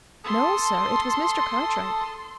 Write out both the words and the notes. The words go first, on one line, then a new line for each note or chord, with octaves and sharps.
"No sir--it was Mr. Cartwright."
A4 A5 C6 D#6